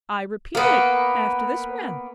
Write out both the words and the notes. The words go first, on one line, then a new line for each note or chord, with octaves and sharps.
'I repeated it, after this man.'
A#3 B3